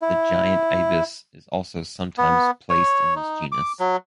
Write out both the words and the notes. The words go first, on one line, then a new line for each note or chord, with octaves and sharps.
The giant ibis is also sometimes placed in this genus.
E4
B3
C#5
D#4
D6
F#3